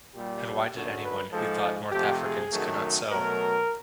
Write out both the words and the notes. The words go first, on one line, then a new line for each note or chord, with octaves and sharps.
And why did anyone who thought North Africans could not sew?
A#2 G3 G4
F#2 D3 F#3
B4
G#2 F3 G#3 A4
C3 F3 A3 G4
G#4
F#2 D#3 F#3 A3
B2 F#3 A3 A#4